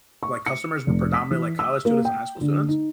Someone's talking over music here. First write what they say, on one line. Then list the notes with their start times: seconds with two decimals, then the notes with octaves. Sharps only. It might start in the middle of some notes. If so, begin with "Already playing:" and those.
like customers were predominantly like college students and high school students.
0.23 C#6
0.46 C#7
0.87 F1
1.14 B6
1.31 E3
1.59 E6
1.85 A#3
2.05 G5
2.41 D3
2.69 D#4